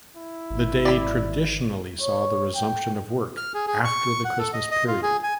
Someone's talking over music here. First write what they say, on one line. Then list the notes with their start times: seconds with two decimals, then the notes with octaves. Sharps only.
The day traditionally saw the resumption of work after the Christmas period.
0.16 E4
0.50 G#1
0.85 D5 B5
2.01 C#5
2.55 G5
3.37 F6
3.54 G#4
3.67 G#4
3.85 C#6
4.25 F#5
4.39 A4
4.53 D#5
4.71 D#5
4.87 F4
5.03 G#4
5.24 G#5